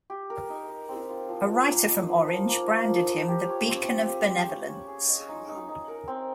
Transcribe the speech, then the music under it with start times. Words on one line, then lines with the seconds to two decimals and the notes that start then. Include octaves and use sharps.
A writer from Orange branded him the "beacon of benevolence".
0.10 G4
0.30 A#4
0.50 D#4
0.69 D#5
0.89 C4
1.09 F4
1.29 F3
1.50 F3
1.69 A#3
1.89 D#4
2.09 F3
2.28 F3
2.49 A#3
2.69 F4
2.89 F3
3.08 F3
3.28 G4
3.49 C#5
3.69 C4
3.88 F5
4.08 G4
4.28 C5
4.48 C#4
4.69 C#4
4.88 G#4
5.09 D#5
5.29 D#4
5.49 D#4
5.69 D#4
5.88 A#4
6.08 C4